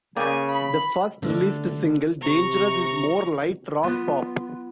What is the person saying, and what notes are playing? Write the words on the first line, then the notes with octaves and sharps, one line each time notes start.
The first released single, "Dangerous", is more light rock-pop.
C#3 A#3 D5 G5 G#5
B5
D3 A3 D4
C3 A#5 C#6
B3 F4